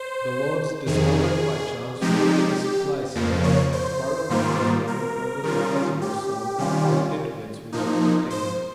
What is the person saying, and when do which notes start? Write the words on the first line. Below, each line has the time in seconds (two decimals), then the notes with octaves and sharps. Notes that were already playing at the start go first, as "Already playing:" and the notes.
The wolves discovered by chance one of the supply cellars, and quarreled for a moment over the dozen or so of tit-bits which it contained.
Already playing: C5
0.86 F2 C3 D#3 G#4
2.01 C3 F3 G#3 D#4 G4
3.15 F2 C#3 F3 A#3
3.43 C#5
3.72 C5
4.29 G#2 D#3 G3 A#3 F4
4.87 A#4
5.43 D#3 G3 C#4 F4
6.01 G4
6.58 C3 D#3 G3 C#4 F4
7.72 A#2 F3 A#3 D#4
8.30 C5